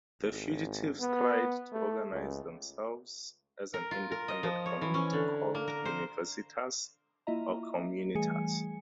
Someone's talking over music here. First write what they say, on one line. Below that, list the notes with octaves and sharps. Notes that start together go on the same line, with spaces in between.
The fugitives tried to organise themselves as an independent community called "universitas" or "communitas".
G#1
B3
A3
C#2
A#4
F4
A#4
D#5
F3
C#5
E3
C#4
D3
A#3
A#4
C5
A#3 E4 F4 D#5 E5 A#5
E3 G3 A3 G#4 G#5 C#7